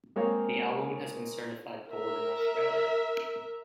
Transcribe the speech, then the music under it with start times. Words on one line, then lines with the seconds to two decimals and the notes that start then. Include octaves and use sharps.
The album has been certified gold in Australia.
0.16 G#3 A#3 C4 C#5 F5
1.90 A#4 E5